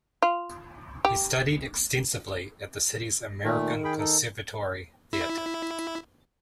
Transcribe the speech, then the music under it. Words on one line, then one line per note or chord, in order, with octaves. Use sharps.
He studied extensively at the city's American Conservatory Theater.
F4
G4
A#2 D#3 A3
G#4 G5 B5
D#4 A4
E4